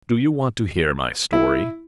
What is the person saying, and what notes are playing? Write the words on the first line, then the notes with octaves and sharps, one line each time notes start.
"Do you want to hear my story?"
E4